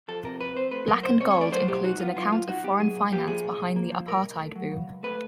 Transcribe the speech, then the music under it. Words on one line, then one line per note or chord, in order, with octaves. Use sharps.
Black and Gold includes an account of foreign finance behind the Apartheid Boom.
F3 A4
C3 A#4
F2 B4
C4 C5
A3 B4
F#3 A#4
B2 C5
C4 C#5
C#5
A3 D5
F#3 C5
B2 G4
D#4 F#4
B3 F4
F#3 F4
A#2 F4
D#4 F#4
B3 G4
F#3 G#4
A#2
A#3 G4
F3 G#4
A#2
C2
A#3
F3
A#2 A#4
C2
A3
F#3
C#3
C#2
A3 B4